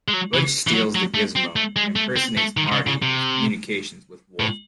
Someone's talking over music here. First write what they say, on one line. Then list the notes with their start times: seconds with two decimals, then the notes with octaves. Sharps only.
Butch steals the Gizmo and impersonates Marty in his communications with Wolfe.
0.08 G#3
0.13 F#3
0.34 E3
0.67 E3
0.74 F#3
0.95 F#3
1.14 A3
1.36 C4
1.56 A3
1.76 G#3
1.96 A3
2.16 C4
2.37 A3
2.57 D#3
2.72 C#3
2.87 C#3
3.02 C3
4.40 A2